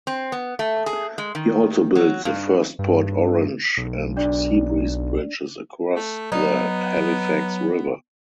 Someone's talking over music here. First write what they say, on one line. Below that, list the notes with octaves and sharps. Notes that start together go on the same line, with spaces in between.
He also built the first Port Orange and Seabreeze bridges across the Halifax River.
C4
B3
A3
G#4
G#3
D#3
F#3
G2
G2
B1
D4 D5
A3
F#3 B3 D#4